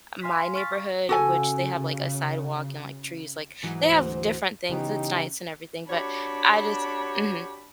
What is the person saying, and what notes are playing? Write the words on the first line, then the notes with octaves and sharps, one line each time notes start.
my neighborhood, which they have, like, a sidewalk and, like, trees. Like, they have different things. It's nice and everything, but I just mhm.
F5 G#5 C6 A#6 B6
C#6 F6 A6 B6
C#3 F#4 A4 G#5
G#2 E3 F#3
D2 C5
C#3 E3 B3 D#4 G4
D4 F#4 G4 C#5 B5